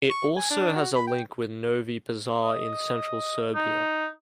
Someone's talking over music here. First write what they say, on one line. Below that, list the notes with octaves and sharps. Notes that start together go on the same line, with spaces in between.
It also has a link with Novi Pazar in Central Serbia.
C#6
G#5
D4
F#4
B5
G5
D#5
D#4